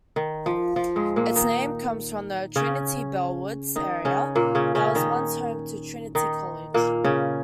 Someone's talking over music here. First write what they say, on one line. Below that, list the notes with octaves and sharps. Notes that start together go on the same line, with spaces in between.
Its name comes from the Trinity-Bellwoods area that was once home to Trinity College.
D#3
F3
F3
G#2 G#3
A#2 A#3
D#3 D#4
C#3 C#4
D#3 D#4
C#3 C#4
A#2 A#3
C#3 C#4
C#3 C#4
D#3 D#4
D#3 D#4
A#2 A#3
C#3 C#4